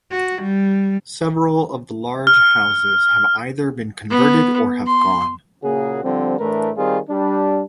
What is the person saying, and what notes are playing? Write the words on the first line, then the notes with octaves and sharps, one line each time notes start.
Several of the large houses have either been converted or have gone.
F#4
G3
F6
B3
C6
A#2 C#3 A#3 F#4 G#4
D3 F3 G3 C4
A2 E3 A3 D4 A#4 B4
D#3 G3 C4 F4 G#4
G3 D4